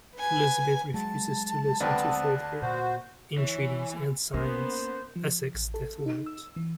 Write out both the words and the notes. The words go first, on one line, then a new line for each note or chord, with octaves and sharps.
Elizabeth refuses to listen to further entreaties and signs Essex's death warrant.
B4 G#5
F#3 G#3 A5
D2 B3 C4 D4 B4
A#2 F#4 C5
E3 C#5
A#3 B3 C#4 A#4 C5
F3
A1
A4
D#4
E6
E3